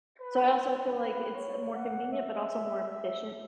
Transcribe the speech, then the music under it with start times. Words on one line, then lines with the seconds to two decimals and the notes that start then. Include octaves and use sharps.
so I also feel like it's more convenient, but also more efficient
0.20 B4
0.97 B4
1.35 C#5
1.74 F#5
2.12 E5
2.88 E5